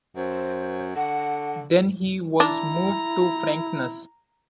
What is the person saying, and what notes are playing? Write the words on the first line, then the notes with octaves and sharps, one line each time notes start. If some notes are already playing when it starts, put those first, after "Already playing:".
Then he was moved to frankness.
F#2 C5
D3 F#5
D4 E4 A#5